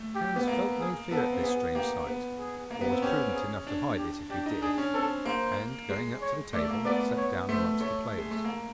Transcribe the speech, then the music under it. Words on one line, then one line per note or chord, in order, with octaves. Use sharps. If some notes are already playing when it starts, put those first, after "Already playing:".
Hans felt no fear at this strange sight, or was prudent enough to hide it if he did, and, going up to the table, sat down amongst the players.
Already playing: A3
G4
B3
A#3
G#4
B3 A4
C4
B3 G#4
A#3 G4
B3
G#4
A#3
B3
C4
C#4 G4
G#4
D4
G4
D4 G4
D#4
D4 G#4
C#4
C4 A4
A#3 C5
G#3
C#5
A3 D5
A#3
B3 D5
C#5
A3 C5
A3 C#5
G#3
A3
A#3